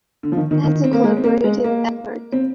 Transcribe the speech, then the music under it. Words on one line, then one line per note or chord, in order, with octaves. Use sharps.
As a collaborative effort.
D3
F3
D#3
D#3
D#3
C4
A#3
G#3
C4
A#3
G#3
A#3
C4